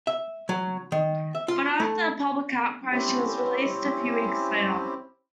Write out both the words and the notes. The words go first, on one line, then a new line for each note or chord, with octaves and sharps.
But, after a public outcry she was released a few weeks later.
E5
F#3
D#3
E5
F4
A3
C4 C#4 E4 G4 C5